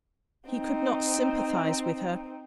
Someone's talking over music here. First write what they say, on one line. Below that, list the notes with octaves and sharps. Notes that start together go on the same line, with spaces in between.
He could not sympathise with her.
C4 D#4